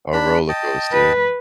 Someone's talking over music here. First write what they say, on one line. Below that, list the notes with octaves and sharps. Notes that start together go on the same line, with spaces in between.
a roller coaster.
D4 B5
D#5 G5 A5
B4